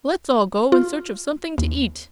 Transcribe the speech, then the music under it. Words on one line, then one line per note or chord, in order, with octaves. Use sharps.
"Let's all go in search of something to eat!"
F4
D#2